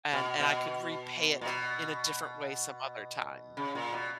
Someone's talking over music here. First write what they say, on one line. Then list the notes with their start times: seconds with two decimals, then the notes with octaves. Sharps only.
and and I could repay it in a different way some other time.
0.13 B2
0.40 B2
1.41 A#2
1.46 B2
3.57 C#3
3.75 A#2
3.92 B2